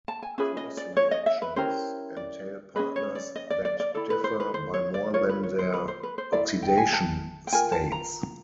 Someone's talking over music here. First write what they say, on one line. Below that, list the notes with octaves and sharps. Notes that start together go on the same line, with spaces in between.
Cross reactions entail partners that differ by more than their oxidation states.
A5
G#5
C#4 F4 G#4 B4 E5
D#5
D5
C#5
D#5
E5
B4
C#4 E4 G4 A#4 C5
D5
C#4 E4 G#4 B4 D#5
C#5
D5
D#5
D5
D5
D5
E4 A4 D5
B4
C5
B4
C5
C#5
D5
F4 A#4 C#5
B4
C#5
C5
B4
C5
B4
C5
E4 A4 D5
D#5
G5
G#5
A5
G5
F4 A#4 G#5
A5
A#5